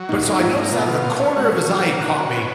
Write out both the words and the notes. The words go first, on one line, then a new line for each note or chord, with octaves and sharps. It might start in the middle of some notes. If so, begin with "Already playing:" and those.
but, so, I noticed out of the corner of his eye, he caught me,
Already playing: F#3
A#2 D#4
C#4 D#4
G#2 F4
A#3 D#4
B2 B3
F4
A#2
C#4
G#3 F#4
F#3 C#4
F#3 F4
F3
A#3
F#3
D#3 F#4
D#3
C#4
B3